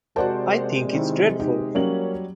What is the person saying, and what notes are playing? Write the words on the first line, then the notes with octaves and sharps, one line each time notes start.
I think it's dreadful.
C3 G#3 F#4 A#4 C5 D5 F#5 A5
D#3 C4 E4
D#4 G4
F#3 G3 A#3 C#4 C#5 F#7